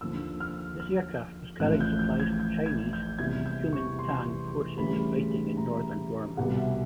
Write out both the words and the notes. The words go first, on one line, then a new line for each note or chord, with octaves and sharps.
This aircraft was carrying supplies for Chinese Kuomintang forces fighting in northern Burma.
D#2 D3 F3 E6
F6
F6
A1 A2 F3 F#6
G6
G6
G#6
G6
G#6
G6
E2 C3 E3 G3 G#6
G6
C#6
C6
D2 C#3 E3 G3 B5
A#5
C2 B2 G3 F#5
E5